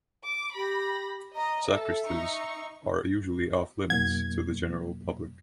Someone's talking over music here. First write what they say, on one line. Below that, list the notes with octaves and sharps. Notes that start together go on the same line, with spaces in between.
Sacristies are usually off limits to the general public.
D6
G4 B5 A#6
D#5 A#5
A4 E5
D#4 C#6
F2 B2 F#3 A#3 G#6